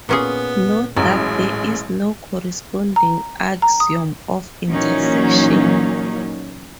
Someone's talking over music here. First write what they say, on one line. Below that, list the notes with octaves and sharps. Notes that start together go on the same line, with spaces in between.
Note that there is no corresponding axiom of intersection.
A#2 B3 C#4 G#4
A1 F#3 G#3
A#5
A#5
D#6
A#2 E3 F#3 A#3 C#4 D#4